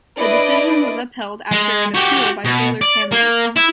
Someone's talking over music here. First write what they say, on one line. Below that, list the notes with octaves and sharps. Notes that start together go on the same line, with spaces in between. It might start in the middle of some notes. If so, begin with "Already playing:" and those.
The decision was upheld after an appeal by Taylor's handlers.
D4 E4 B4 D5 D#5 D7
G#3
F#4 G4
B2
D5
A#3
E4